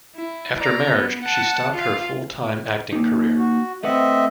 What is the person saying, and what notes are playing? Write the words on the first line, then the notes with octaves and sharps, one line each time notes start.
After marriage, she stopped her full-time acting career.
E4
D5 A#5
B3
F#5 A5
F4 F5
A#3 D#4
F#4
A3 C4 B4 D#5 E5 F#5